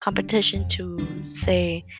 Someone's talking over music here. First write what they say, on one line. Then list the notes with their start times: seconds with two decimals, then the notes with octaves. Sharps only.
competition to say,
0.11 D3 G3 D4
0.55 F2
0.98 D3 G3 D4
1.42 F2